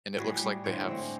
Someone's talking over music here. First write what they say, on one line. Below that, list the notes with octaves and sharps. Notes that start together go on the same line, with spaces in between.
and it looks like they have
A2 G3 F#4 G#4
G3
A2 D3 C5 C#5
G#3 C4